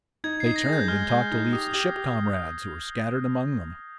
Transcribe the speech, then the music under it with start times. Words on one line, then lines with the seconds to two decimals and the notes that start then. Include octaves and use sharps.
They turned and talked to Leif's ship-comrades who were scattered among them.
0.24 D#4 G#6
0.40 C7
0.45 D#4
0.56 A#6
0.67 G#4
0.73 G6
0.88 G#3 F6
1.09 G#3
1.31 D#4
1.52 G4 D#6
1.74 G4
1.96 G4